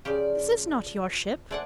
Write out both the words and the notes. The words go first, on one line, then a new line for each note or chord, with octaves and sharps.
This is not your ship.
C#3 F3 G4 D5
A3 D4 C5 D5 F#5 G#5